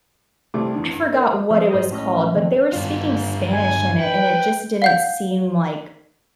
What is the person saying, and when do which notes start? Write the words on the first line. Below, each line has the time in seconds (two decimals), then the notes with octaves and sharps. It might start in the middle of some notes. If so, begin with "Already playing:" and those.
I forgot what it was called, but they were speaking Spanish in it, and it just didn't seem, like,
0.54 C2 G3 A3 D6
0.75 E2 D3
0.91 G2
1.14 A#4
1.51 F3 C4
1.71 G#2 C5 D#5
1.91 A2 C#4 D#5
2.36 D#3 F3 A3 C4
2.73 G2 F4
3.53 G#5
4.00 B4 G5
4.82 F5 F#5 G6